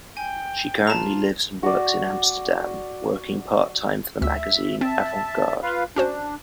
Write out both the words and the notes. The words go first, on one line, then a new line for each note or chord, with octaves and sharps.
She currently lives and works in Amsterdam, working part-time for the magazine AvantGarde.
G5 G#5
F4 A5 A#5
F#4 D5
D2 E5 E6
C4 E5 A5
F4 B4 F5
C#4 D4 F#4 C5